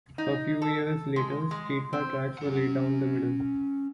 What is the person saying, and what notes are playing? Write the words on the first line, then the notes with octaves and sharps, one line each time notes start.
A few years later streetcar tracks were laid down the middle.
D#4
A4
G#3
G#3
C4
C#4 F#5